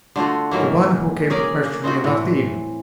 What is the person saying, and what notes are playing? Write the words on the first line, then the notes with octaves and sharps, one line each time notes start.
"The one who came to question me last evening."
D3 A3 F4 F#4
G#2 E3 F#3 A#3
C#4 G#4 A#4 D5
A#3
C4 D#4 F4 F#4
A2 E3